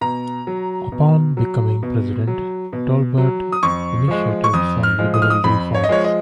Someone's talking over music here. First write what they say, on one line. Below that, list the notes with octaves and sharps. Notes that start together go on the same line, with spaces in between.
Upon becoming president, Tolbert initiated some liberal reforms.
B2 A#5
F#3
B2
F#3
B2
F#3
B2
F#3
D#6
F2 C#6
F3 G#3
C#6
F2 D#6
F6
F3 G#3
D#6
F6
D#6
F2 B5
C#5
D#5
F3 G#3 C#5
D#5